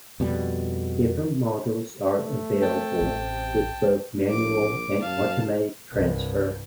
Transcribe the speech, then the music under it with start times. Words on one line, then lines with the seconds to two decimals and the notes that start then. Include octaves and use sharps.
Different models are available, with both manual and automatic transfer.
0.20 F2 B2 G3
2.17 A3
2.62 C3 G5 A5
3.01 A1
4.30 A#1 D6
5.02 F#2 F5 A5
5.93 C2 G2